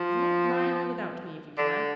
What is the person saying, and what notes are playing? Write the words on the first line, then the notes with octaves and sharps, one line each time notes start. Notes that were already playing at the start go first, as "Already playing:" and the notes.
If not, marry her without me if you can.
Already playing: F3
D3